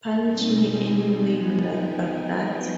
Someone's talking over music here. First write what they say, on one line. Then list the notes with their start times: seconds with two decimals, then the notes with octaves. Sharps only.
Punish me any way you like but that.
0.23 B2 G3 C4 D#4 G#5
1.19 F3 B3 D#4
1.66 G5